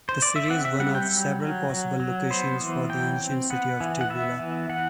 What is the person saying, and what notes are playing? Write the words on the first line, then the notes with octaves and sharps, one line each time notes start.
The city is one of several possible locations for the ancient city of Tibula.
C5
D5
E5
C4 F#5
E5
G3 F#5
G5
F#3
F#3
F#3
F#3
B3 C5
E3
F#3 G5
C4
B3 F#5
E3
F#5
B3 E5
E3
E3 F#5